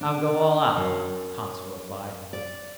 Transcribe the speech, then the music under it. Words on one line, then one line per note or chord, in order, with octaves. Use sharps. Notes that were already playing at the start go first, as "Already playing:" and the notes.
"I'll go all out," Conseil replied.
D4
F#2
D5